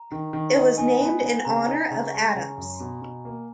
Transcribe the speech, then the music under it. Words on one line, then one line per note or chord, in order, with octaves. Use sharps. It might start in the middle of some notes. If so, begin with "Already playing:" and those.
It was named in honor of Adams.
Already playing: A#5
D#3
D#3
D#4
D#4 G#5
B3
B3
C#3 A#5
D#4
C#3
G#3
C#3
F#2
B2
B2
A#3